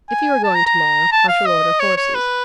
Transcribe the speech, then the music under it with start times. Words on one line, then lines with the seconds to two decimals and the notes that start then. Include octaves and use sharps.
'If you are going to-morrow, I shall order horses.'
0.09 G#5
0.44 A5
0.55 A#5
0.66 A#5
1.12 A5
1.29 F5
1.46 D#5
1.80 C#5
1.97 C#5
2.15 B4